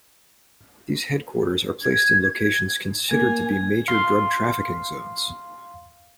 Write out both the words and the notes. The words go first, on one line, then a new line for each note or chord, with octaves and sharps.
These headquarters are placed in locations considered to be major drug trafficking zones.
G#6
A#3 G#5 G#6
F5 C6